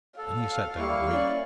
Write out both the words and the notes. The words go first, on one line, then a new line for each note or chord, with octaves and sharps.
Then he sat down to eat.
A4 F5
G3 A#3 E4 C#6
C#4 D5